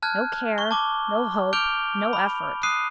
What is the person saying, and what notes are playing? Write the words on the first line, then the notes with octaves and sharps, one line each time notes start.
No care--no hope--no effort.
A5 F6 F#6 G#6
C#6 G7
A5 D6 G7
D6 F6 G6 D7 F7 G7
B5
D#6 F#6 C7 D#7